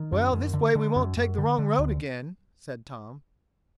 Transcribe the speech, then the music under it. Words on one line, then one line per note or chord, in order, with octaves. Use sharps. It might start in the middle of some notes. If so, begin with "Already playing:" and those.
"Well, this way we won't take the wrong road again," said Tom.
Already playing: D#3
F#2
F#2
D3
D3
F#2
F#2
D3
D3
D2